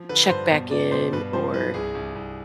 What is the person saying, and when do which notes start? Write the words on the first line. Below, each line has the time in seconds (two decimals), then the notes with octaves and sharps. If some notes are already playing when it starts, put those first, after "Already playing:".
check back in, or,
Already playing: F3
0.09 D3 B4
0.29 G2 C5
0.50 B2 C5
0.71 B2 D5
0.92 B2 C5
1.13 G2 B4
1.33 F3 C5
1.54 G2 B4
1.74 C2 G#4
1.95 C2
2.16 C2